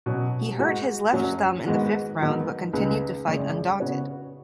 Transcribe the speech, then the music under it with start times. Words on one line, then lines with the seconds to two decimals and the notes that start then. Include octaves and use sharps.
He hurt his left thumb in the fifth round but continued to fight undaunted.
0.06 B2 F#3 C#4
0.59 G#2 G#3 D#4 F#4
1.12 F#2 F#3 C#4 F#4
1.66 G#2 D#3 G#3 B3 F#4
2.20 G#2 D#3 F#3 B3 D#4
2.73 C#2 C#3 G#3 D#4 B4
3.27 G#1 F#2 C#3 G#3
3.80 C#3 B3 F#4 C#5